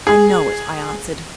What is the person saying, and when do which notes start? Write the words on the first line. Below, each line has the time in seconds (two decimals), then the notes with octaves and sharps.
'I know it,' I answered.
0.07 G#4